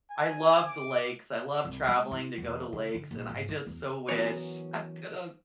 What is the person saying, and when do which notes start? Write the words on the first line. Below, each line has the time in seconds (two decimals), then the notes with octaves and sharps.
I loved lakes, I loved traveling to go to lakes, and I just so wish I could have
0.10 G#5
0.65 D6
1.65 C2
1.88 G#3
2.11 E4
2.38 E1
2.73 C#3
2.95 D3
3.11 A#1
3.29 G#2
3.49 E4
3.67 E2
4.09 E3 F#3 B3 C#4 A#4 C#5